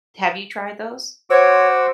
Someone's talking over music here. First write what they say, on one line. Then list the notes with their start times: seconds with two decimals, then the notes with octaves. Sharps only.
Have you tried those?
1.30 F#4 C5 C#5 F#5 D6 E6